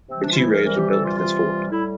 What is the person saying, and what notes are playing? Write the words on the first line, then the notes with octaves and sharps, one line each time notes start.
Two roads were built to this fort.
C3 E3 G3 C4
D4
F4
E4
A#4
C3 E3 G3 A#4
G4
A4
F4
C3 E3 G3 F4
A2 G3 E4